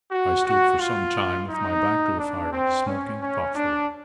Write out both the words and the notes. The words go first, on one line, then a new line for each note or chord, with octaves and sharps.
I stood for some time with my back to the fire, smoking thoughtfully.
F#4
F#4
F4
D#4
D4
C4
C#4
C#4
D4